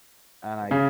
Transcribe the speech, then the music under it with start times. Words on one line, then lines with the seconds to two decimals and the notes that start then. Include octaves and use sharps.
and I
0.71 C#3